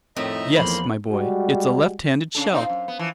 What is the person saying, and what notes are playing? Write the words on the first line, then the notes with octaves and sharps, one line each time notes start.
"Yes, my boy, it's a left-handed shell!"
F2 A2 D#3 D#5 E5 A#5
E2 F3 A#3 B5 C6 F#7
G3 G#3 F#4
C#3 D4 A4
C4 D#4 F4
F#2
B3
E3 F3